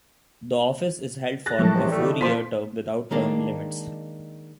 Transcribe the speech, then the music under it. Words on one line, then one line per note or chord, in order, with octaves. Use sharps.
The office is held for a four-year term without term limits.
G#4 F#6 A6 A#6
A2 F3 F#3 G#3 A4 A#4 E5 A5
C#2 G#2 C3 E3
G3 A3
D3 D#4 A4 D6
A#2 F3 C5 A5 C6 B6
D#3 G#3 A#3 D4